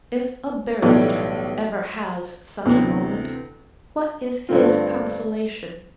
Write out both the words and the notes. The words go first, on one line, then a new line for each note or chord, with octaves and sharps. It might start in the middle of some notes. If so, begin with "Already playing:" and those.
If a barrister ever has such a moment, what is his consolation?
B1 A2 E3 G3
D2 C3 E3 B3
G2 D3 A3 C4 F4